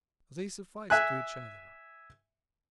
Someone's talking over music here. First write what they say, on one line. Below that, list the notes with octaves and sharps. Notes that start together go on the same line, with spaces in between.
They sufficed to each other.
E5 G#5 F#6